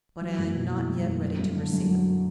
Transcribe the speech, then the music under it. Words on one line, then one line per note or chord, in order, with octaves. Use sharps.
"But I am not yet ready to receive it."
F#3
F#1
B2
E2
F#3
F#1
F#3
G1
D3
F#2
F#3